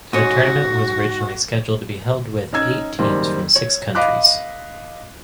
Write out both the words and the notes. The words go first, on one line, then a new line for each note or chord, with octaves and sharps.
The tournament was originally scheduled to be held with eight teams from six countries.
G#2 C#4 F#4
C#4 D#4 E6 G#6
F#1 D#3 G3 C4
C#5
D#5 F5 B5 D6 F#6